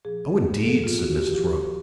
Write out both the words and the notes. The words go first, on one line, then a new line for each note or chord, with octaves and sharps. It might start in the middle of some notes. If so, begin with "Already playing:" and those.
"Oh, indeed!" said Mrs. Roper.
A#2 F3 G#4
A4
A#2 F3 G#4
F4
F#4
G4
A#2 F3